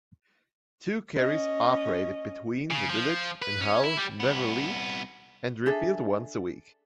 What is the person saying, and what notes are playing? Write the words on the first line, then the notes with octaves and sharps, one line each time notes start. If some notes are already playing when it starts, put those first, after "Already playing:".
Two carriers operated between the village and Hull, Beverley, and Driffield once a week.
C#4 D#5
C#3
F3
B4
C#4
E4
G3
C2 B3
D4 G#4 A4 E5